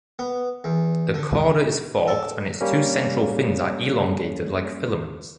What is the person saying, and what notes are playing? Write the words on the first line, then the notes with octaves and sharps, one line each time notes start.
The cauda is forked and its two central fins are elongated like filaments.
B3
E2
D3
A4
G3 A#3 C#4